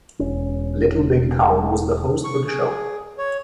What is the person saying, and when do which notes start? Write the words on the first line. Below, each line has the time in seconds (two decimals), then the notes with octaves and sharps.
Little Big Town was the host for the show.
0.19 E1 C#4
2.24 C#6
2.47 G#4
3.18 C#5